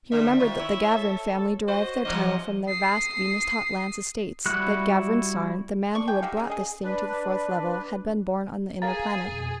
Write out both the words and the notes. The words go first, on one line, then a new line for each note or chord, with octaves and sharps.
He remembered that the Gavran family derived their title from their vast Venus hotlands estates; that Gavran Sarn, the man who had brought this thing to the Fourth Level, had been born on the inner planet.
D3 G3 E5
D#3 F4 C5
E4 C#5
A4
F#4 C5 D#5
G#2 C3 F3 F#3 D#5
D#6 C7
G3 E4 F#4 F#6
D5 C#6
E4 G5 G#5
F#3 D#4 G4 F5
C#3 G#3
G#4 D#5
D4 B4
G#4 A#4 F5 A#5 A6
F2 B2